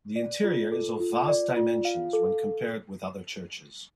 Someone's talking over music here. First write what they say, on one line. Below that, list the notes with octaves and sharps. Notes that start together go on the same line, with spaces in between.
The interior is of vast dimensions when compared with other churches.
D5
F4
A4
F4
D5
F4
F5
A4